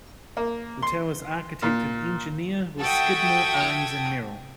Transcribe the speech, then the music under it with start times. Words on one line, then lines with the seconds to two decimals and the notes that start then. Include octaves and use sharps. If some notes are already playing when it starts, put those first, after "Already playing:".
The tower's architect and engineer was Skidmore, Owings and Merrill.
0.37 A#3
0.83 C6
1.62 A#2
2.81 F#4 A4 E5 G5 D#6 G#6